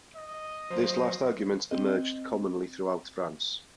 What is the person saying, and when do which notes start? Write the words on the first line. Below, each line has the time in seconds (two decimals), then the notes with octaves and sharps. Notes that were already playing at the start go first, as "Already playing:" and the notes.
This last argument emerged commonly throughout France.
0.16 D#5
0.70 F#3 C5
1.71 C4 D#5